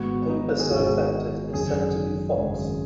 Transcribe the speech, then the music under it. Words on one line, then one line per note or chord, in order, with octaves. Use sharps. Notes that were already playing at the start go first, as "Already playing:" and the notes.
Paper so affected is said to be "foxed".
Already playing: G#1 G#2 G#3 B3 F#4
D#4
G#4
G#1 G#2 G#3 B3 F#4
G#1 F#2 C#3 G#3 C#4 G#4
G#1 F#2 C#3 G#3 C#4